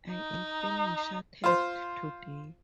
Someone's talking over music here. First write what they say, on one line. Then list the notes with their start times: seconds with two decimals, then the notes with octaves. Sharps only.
I am feeling shattered today.
0.11 D#4
1.44 F4 C5